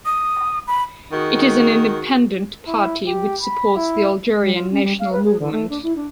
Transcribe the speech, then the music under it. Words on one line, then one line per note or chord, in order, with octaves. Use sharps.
It is an independent party which supports the Algerian national movement.
D#6
B5
D#3 F#4 G#4
E4
G4
B5
E4
G3
F4
C#4
G3
F5
B4
G#4
D3
A3
D4
E4
D4